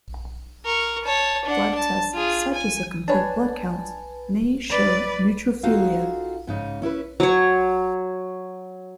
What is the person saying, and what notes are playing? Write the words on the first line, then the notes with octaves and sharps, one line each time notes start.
Blood tests such as a complete blood count may show neutrophilia.
A#4 C#6
C#5 A5
D4 F#5
A5
F4 G#4
G#5
D4 B4 C#5 G#5 A5
B4 D5
D#4 F4 F#4 G#4 A4 F5
G#2 C#3 D#4
C#4 E4 A#4 B4
F#3 C#5